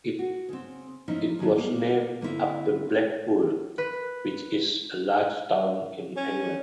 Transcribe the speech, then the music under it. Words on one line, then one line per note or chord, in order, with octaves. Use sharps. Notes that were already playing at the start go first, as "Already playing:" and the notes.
It was named after Blackpool, which is a large town in England.
F#4
C#3 C4
F3 A#3 C#4 D#4 E4
D#2 F#3 C#4 D4 A5
G3 A#3 B3
D3 A#3 C4 E4
B4
C#4